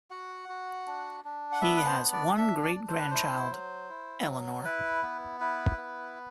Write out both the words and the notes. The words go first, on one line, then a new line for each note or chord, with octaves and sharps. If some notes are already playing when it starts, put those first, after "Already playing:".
He has one great grandchild—Eleanor.
F#4 F#5
F#4
D4
D4
F#5
B3 E5
B4
C5
D4
D5
D4 E5
D5
D4
C5
B4
E4 C5
F#3
E4
F#3
E4 B4
B3
E4 B4
B3